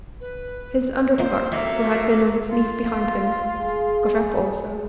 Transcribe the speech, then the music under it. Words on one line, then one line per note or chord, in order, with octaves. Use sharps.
His under-clerk, who had been on his knees behind him, got up also.
B4
A#2 D#3 A#3 C5
D#3 F#3 A3 A#3 E5
F4
G#4